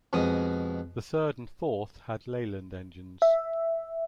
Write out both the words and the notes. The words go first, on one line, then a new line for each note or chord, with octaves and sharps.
The third and fourth had Leyland engines.
F2 B2 G#3 D#6
E5